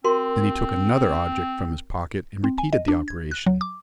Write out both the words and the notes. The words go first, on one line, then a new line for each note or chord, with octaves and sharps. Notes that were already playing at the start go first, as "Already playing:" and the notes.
Then he took another object from his pocket and repeated the operation.
C4 F#4 A#4 C6
C4
G#5
D#5
D4
G#6
F#6
F#3
D6